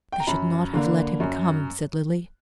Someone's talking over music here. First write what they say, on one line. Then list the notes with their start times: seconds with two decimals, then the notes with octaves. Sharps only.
"They should not have let him come," said Lily.
0.12 G5
0.20 A#5
0.27 F#2 B5
0.73 D3 A#3 D4
1.20 F#2